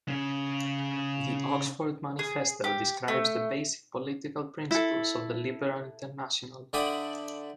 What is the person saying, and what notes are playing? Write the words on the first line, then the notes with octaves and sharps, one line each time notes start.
The Oxford Manifesto describes the basic political principles of the Liberal International.
C#3 C#4
G#4
G4
A3
E4 A4
D3 D5 E5 G5 B5 D#6